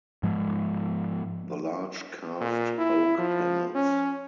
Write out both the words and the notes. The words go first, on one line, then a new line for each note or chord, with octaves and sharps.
The large carved oak panels.
G#2 F3 G#3
A#2
E4
F3
C#4